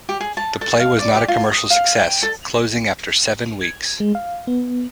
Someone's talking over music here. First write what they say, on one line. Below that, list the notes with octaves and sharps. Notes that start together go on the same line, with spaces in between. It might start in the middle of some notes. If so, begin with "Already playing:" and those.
The play was not a commercial success, closing after seven weeks.
G4
G#4
A5
A4
F5
D5
G4
F4
D#6
F5
G5
A4
G#6
G#3
F5
B3